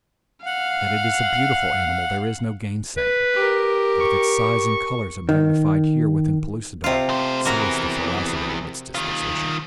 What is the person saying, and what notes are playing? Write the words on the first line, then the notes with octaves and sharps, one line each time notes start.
That it is a beautiful animal there is no gainsaying, but if its size and colors are magnified here within Pellucidar, so is the ferocity of its disposition.
F5 F#5
B4
G4 A#4
C#6
D#3
C3 F4
A3 C5
E2 E3 F#4 A#4
D#3 F4